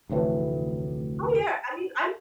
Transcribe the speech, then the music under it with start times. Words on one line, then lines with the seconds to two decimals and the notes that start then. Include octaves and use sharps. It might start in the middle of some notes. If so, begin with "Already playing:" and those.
Oh, yeah, I mean, I'm
0.10 F1 D2 A2 E3